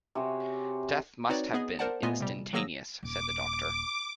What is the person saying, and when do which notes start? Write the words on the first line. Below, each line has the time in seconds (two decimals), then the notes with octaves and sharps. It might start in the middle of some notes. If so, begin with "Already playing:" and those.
"Death must have been instantaneous," said the doctor.
0.15 C3 F#4 G#4 C#5
1.29 C4 D#4 F#4 B4 C#5 D5
1.54 B3 G#4 D#5
1.79 A#4 C5 D5 F#5 A5
2.03 A#2 A3 B3 F4 D#5 G#5
2.21 C3 G3
2.53 D#3 F#3 A#3 G#4 E6 A#6
3.03 D#1 D6